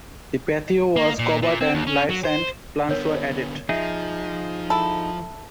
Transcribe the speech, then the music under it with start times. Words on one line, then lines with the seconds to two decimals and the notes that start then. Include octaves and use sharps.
The patio was covered and lights and plants were added.
0.96 A#3
1.19 A#2
1.42 A#2
1.61 C4
1.74 D#2
1.87 C#4
2.10 F#3
2.24 C5
2.89 D3 B3 A#4 C#5
3.69 F3 D#4 G#4 E5
4.70 E4 A4